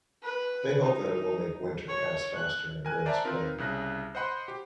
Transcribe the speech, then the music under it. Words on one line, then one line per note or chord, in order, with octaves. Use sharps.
They hope that it will make winter pass faster and bring spring.
B4
D#4
C#5
F#6
A#4 G#5 F#6
C5 D5 E5 A5 A#5
C4 D#4 F4 A#4 B4
C2 C#3 F#6 A#6
C5 D#5 F#5 B5 C6
G4